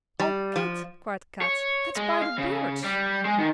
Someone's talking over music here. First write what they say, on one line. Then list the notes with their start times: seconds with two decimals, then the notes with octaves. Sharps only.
"O Kit," cried Kat, "let's buy the birds!"
0.20 G3
0.56 F3
1.42 C#5
1.97 G#3
2.22 F5
2.38 C#3
2.85 G3
3.25 G#3
3.38 D#3